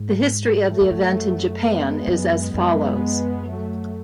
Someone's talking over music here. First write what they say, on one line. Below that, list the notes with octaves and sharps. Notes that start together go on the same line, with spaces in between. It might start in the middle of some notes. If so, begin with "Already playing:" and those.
The history of the event in Japan is as follows.
Already playing: G#2
F#3 A3
E2
F#2
G#3 B3
F#2
F#2 G#3 B3
F#3 A3